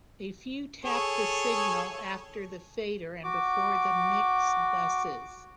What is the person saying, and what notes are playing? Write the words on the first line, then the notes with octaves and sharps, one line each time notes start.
A few tap the signal after the fader and before the mix buses.
G#4 A4 C#5
F#4 D6